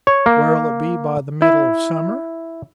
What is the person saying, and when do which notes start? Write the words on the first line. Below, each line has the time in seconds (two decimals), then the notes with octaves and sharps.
Where'll it be by the middle of summer?
0.07 C#5
0.26 A#3
1.42 E4